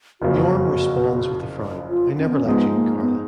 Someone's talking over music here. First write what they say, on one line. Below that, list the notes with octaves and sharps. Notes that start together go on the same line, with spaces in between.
Norm responds with a frown, I never liked you, Carla.
F#1 F2 C#3 F3 A#3 F#4
F4
C#4
B3
C#4
G#2 F3 G#3 B3 D#4
A#3
B3